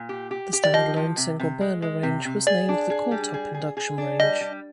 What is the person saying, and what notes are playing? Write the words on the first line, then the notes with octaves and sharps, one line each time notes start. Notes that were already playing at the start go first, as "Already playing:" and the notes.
The stand-alone single-burner range was named the Cool Top Induction Range.
Already playing: A#2
G4
G4
G4
D5
F3 D#5
F3
C3
C3
G#3
G#3
C3
C3
G#4 D5
D4
G#4
G3
G#4
G#4
G#4
D4
G3 D#5
G3